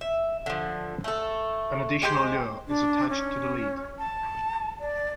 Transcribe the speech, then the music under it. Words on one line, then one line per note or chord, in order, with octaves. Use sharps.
An additional lure is attached to the lead.
E5
D3 F3
A3 A4
G#3 G4 G#4 C5
D4
C#4
A5
D5